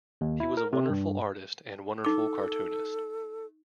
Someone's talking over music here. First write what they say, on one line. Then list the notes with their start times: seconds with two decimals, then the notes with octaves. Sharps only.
He was a wonderful artist and a wonderful cartoonist.
0.21 D#2
0.40 E4
0.57 A#4
0.73 C3
0.90 G2
2.05 D#4 A4 D6